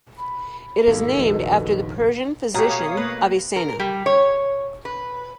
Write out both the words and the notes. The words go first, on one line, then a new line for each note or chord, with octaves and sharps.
It is named after the Persian physician Avicenna.
B5
D#2 G#2 B2 A#3 A4
F1 A#1 B2
B2 A3 G4 C#5 F5 A#5 D#6
A#3 B4
A#4
G3
C#5
B4